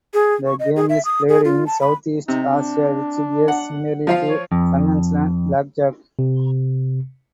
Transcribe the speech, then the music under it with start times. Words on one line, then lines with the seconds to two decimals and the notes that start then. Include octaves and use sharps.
The game is played in South East Asia which bears similarity to conventional Blackjack.
0.14 G#4
0.47 C#6
0.59 D#5
0.76 G#4
0.89 E5
1.05 D#6
1.29 G#4
1.45 F4
1.67 A5
1.81 B5
2.28 C3 D#4
2.48 D4
3.48 F#5
4.07 F3 F4 F5
4.29 C#5
4.52 F2
6.19 C3